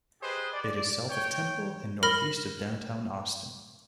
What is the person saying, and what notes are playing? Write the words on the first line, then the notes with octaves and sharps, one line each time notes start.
It is south of Temple and northeast of downtown Austin.
G4 G#4 B4 C5 D#5
D5
C#5 G5
A#4 B5 F6 A#6